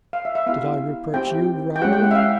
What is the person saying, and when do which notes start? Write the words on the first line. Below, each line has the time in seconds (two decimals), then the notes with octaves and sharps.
"Did I reproach you, Raoul?"
0.13 F5
0.25 E5
0.35 E5
0.46 B3 E4 G4 F5
1.14 C4 E4 G4 G5
1.76 G5
1.82 G#3 C#4 E4 G4 F#5
1.93 G5
2.03 F#5
2.11 E5
2.15 F5